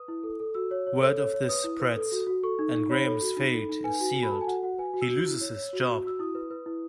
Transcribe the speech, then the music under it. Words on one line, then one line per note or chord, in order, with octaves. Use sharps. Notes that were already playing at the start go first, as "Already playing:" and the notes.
Word of this spreads, and Graham's fate is sealed; he loses his job.
Already playing: B4 D#6
E4
A4
A4
F#4 E6
C#5
C#5
A4
C#5
C#5
B4 D#6
E4
B4
A4
F#4
F#4
A4 C#6
D#4
D#4
C#5 B5
A4
F#4
D#4
A4
D#4
B4 G#5
F#4
F#4
B5
A4 A5
G#5
F#4 F#5
F#4 F#5
B4 G#5
F#4
E6
F#4
E4
C#5
C#5
F#4
F#4
F#4 E6
E4 D#6
B4
B4
E4